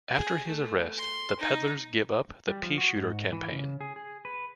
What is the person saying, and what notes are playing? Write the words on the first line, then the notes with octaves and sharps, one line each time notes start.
After his arrest, the peddlers give up the Pea-Shooter Campaign.
G#4
A3
C6
D#4
G3
F3
F#4
G#2
E3
C#3
G#4
G#4
B4